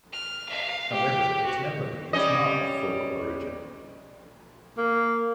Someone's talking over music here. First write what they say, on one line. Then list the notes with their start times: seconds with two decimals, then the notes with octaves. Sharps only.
However its melody is not of folk origin.
0.13 F6
0.49 F5
0.92 G4
1.45 F#4
2.13 G3 C#4 D#5
4.78 A#3